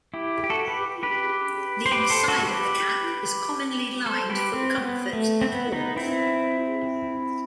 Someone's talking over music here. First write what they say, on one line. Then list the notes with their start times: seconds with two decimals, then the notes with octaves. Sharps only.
The inside of the cap is commonly lined for comfort and warmth.
0.14 E4 G4
0.44 G4
0.50 F#4 A4
0.68 G4 B4
1.03 G4 B4
1.86 C5
1.92 G4 B4
2.10 A4 C5
2.28 F#4 A4
2.38 A4
2.45 G4 B4
4.06 A4 C5
4.30 G4 B4
4.54 C4
4.78 B3
5.13 A3
5.41 C4
5.48 B3
5.72 B3 D#4
5.96 C4 E4